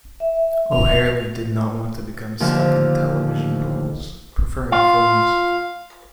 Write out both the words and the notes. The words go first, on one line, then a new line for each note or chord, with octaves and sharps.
O'Herlihy did not want to become stuck in television roles, preferring films.
E5
F7
D#2 D3 F3
F4 F5